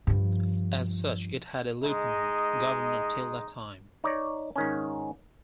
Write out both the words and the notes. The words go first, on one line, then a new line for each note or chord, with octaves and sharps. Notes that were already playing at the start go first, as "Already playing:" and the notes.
As such it had a Lieutenant Governor till that time.
G2 F3
G#3 D#4 D#5
D#4 C#5 D5
G#2 D#3 C#4